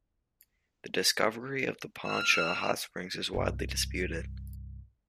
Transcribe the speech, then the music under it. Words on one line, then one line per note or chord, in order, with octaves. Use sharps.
The discovery of the Poncha hot springs is widely disputed.
E6 F6
C2 G2